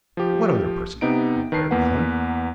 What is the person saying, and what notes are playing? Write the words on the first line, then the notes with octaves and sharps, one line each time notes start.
"What other person?" inquired Allan.
F3 G4
C3 B3 D#4 D7
D#3 B4 A5 C7
E2 A#3 B4 F#5